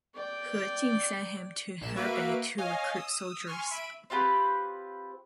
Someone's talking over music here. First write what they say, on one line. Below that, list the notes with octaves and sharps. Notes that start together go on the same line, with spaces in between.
He Jin sent him to Hebei to recruit soldiers.
D5 G5
A#1 A#2 E7
A#3 F#4 B4 E5 F5 D7
C#5 D#5 F5 G#5
D#6 E6
G#5 C6 C#6 F6
E5 B5 D7 D#7
C4 F4 G4 B4